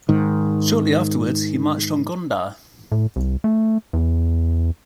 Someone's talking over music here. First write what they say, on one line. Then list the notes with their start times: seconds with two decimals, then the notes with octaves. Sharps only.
Shortly afterwards he marched on Gondar.
0.09 G#2 D#3
2.92 A2
3.16 C2
3.44 A3
3.93 E2